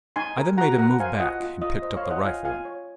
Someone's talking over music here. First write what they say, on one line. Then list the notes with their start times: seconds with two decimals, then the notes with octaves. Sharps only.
I then made him move back, and picked up the rifle.
0.16 D#4 G#5 C6
0.38 A#4
0.58 F#4 F#5 A#5
0.78 A#4 F#5 A#5
1.00 C5 F5 G#5
1.20 F4 D#5 F#5
1.40 F4
1.61 F4 D#5
1.82 C5 D#5
1.97 C#5 F5
2.03 C5
2.10 D#5 F#5
2.24 F4 F5 G#5
2.45 F4 F5 G#5
2.65 C#5